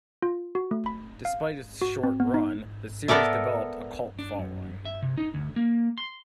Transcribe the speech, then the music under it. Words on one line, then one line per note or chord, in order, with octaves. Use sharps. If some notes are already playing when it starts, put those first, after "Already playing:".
Despite its short run, the series developed a cult following.
F4
F#4
A3
B5
F5
F#4
C4
B3
D#4
B3 A4 A#4 D5 E5
D4
F#2
E5
C3
D#4
D2
A#3
C6